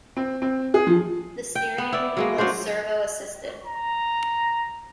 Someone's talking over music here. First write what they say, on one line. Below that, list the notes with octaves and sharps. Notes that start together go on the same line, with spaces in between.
The steering was servo-assisted.
C4
C4
G#4
F3
G5
B3
E4 D5
F#3 G#3 A#3
F#3 C#4 D4 C5
A#5